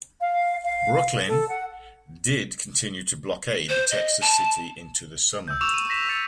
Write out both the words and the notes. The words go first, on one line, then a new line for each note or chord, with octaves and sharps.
"Brooklyn" did continue to blockade the Texas city into the summer.
F5
F5
A4
F#5
C5
D#5
A5
E6 G6
C#6 D6 E6 E7 F7
D#7
C#6 A#6 B6 E7
D6 E6 A6 C#7